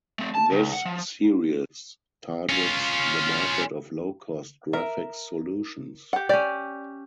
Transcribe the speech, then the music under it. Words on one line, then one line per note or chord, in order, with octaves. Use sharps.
This series targets the market of low-cost graphics solutions.
A3 C4
A5
C#2
F#5
F3
C#4 F4
A#4 E5
G4 F#5
C#4 G4 D5